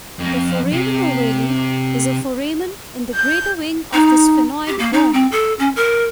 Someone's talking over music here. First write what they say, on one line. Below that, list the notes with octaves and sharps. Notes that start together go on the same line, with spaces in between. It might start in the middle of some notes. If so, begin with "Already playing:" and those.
The foramen ovale is a foramen in the greater wing of the sphenoid bone.
F2
C3
G6
D#4
G4
A#3
D#4
C4
A4
C#4
A#4